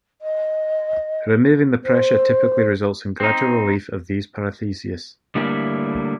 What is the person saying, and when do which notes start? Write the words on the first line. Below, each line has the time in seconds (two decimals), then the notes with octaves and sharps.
Removing the pressure typically results in gradual relief of these paresthesias.
0.22 D#5
1.84 C5
3.20 C4 D#4
5.35 D3 G3 A3 A#3 E4